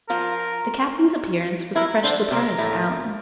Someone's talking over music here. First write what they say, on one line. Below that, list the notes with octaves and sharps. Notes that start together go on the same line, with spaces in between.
The Captain's appearance was a fresh surprise to Alan.
F3 F4 A#4
E3 E4 A#4
D3 D4 C5
C3 C4 A#4
A2 A3